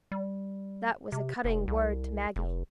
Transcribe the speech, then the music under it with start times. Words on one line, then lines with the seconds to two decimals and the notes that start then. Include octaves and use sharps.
That was a cutting word to Maggie.
0.12 G3
1.12 C3
1.44 F1
1.68 C2
2.36 F1